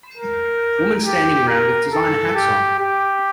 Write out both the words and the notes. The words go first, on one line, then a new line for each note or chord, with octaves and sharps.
Woman standing around with designer hats on.
A#4
G4
A#4
A4
G4
G4